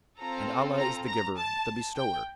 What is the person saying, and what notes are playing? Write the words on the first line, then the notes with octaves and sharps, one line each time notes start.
And Allah is the Giver, the Bestower!
C4 F4 A4 A#5
A#5
A#5
A5
G5